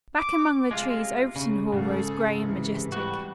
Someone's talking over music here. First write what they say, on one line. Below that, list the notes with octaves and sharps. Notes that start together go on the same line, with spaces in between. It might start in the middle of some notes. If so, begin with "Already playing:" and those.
Back among the trees Overton Hall rose gray and majestic.
D6
C3 G#3 F4
C#3
G#2 C#3 G#3 G#4 A4
C3 E3 G#3
G3 F#4